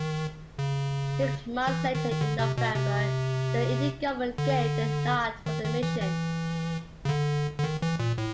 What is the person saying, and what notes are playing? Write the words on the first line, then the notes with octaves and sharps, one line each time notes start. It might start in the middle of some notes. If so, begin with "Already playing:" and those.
Six months later, in November, the Indian government gave the nod for the mission.
Already playing: D#3
C#3
E3
D#3
D#3
D3
C3
B2
C3
D3
D#3
D#3
E3
E3
C#3
D3
D3
D#3
E3
A#2
A2